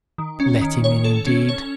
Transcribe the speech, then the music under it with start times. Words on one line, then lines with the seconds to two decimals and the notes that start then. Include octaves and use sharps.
Let him in, indeed!
0.18 D#3
0.40 C#4
0.61 D#3
0.84 C#5
1.04 A4
1.27 C#4
1.49 C#5